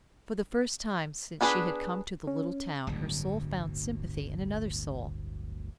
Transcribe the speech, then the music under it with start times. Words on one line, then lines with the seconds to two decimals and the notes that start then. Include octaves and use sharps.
For the first time since she had come to the little town her soul found sympathy in another soul.
1.41 B3 D4 G#4 B4
2.27 C#4
2.87 D1 G1 D2